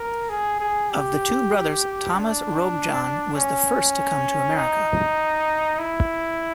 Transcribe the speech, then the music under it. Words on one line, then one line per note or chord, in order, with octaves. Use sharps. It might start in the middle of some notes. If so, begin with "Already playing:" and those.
Of the two brothers, Thomas Robjohn was the first to come to America.
Already playing: A#4
G#4
G#4
G4
D4
C#4
D#4
E4